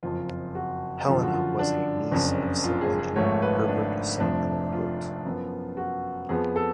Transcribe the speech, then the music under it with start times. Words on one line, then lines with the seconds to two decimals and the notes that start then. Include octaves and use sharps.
Helena was a niece of civil engineer Herbert Samuel Holt.
0.03 F#1 F2 F3 F4
0.29 F4
0.55 F#4
1.08 F#2 D3 F3 F4
1.23 F#4
1.33 F4
1.59 D4
2.11 F#1 F2 C#3
2.64 F4
2.81 G#4
2.99 G#4
3.16 G#1 G#2 F3 A3 C#5
3.42 B4
3.68 D4
4.20 F1 F2 F3 A3 D4
4.73 F4
5.25 F#2 F3 B3
5.77 F#4
6.29 F2 F3 B3 G#4
6.56 A4